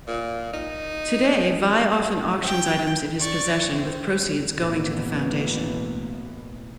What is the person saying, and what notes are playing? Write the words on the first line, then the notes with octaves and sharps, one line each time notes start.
Today, Vai often auctions items in his possession with proceeds going to the foundation.
A#2
D#4
G5
D5 C#6
C4
A1 B2 E3 A#3 B3